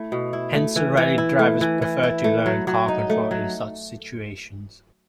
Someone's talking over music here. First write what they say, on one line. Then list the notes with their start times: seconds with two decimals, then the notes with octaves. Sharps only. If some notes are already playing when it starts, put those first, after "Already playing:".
Hence, rally drivers prefer to learn car control in such situations.
Already playing: A3 E4
0.12 B2
0.33 E4
0.54 A3
0.76 E3
0.97 E3
1.18 E4
1.39 A3
1.61 E3
1.82 E3
2.03 E4
2.24 A3
2.46 F#3
2.67 F#3
2.88 D#4
3.10 A3
3.31 F#3